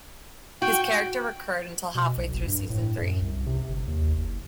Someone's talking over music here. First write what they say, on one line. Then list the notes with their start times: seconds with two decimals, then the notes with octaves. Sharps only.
His character recurred until halfway through season three.
0.62 F#4 G5
1.95 B2
2.17 B1
2.34 F#1
2.47 G2
2.70 A2
3.01 F#2
3.21 C2
3.46 C3
3.69 G1
3.87 D#2
4.17 F#1